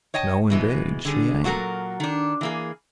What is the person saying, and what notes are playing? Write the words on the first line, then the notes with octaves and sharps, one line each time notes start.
"No, indeed, she ain't."
C#5 D#5 G5 A5
B2 E3 G#3
D3 G3 G#4
A#2 F#3 F#4 A4 A#4
D#3 D4
E3 A#3 G#4